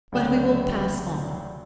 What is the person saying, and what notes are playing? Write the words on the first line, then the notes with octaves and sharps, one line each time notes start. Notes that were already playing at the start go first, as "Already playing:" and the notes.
But we will pass on.
D2 C#3 F#3 D5 G5 E7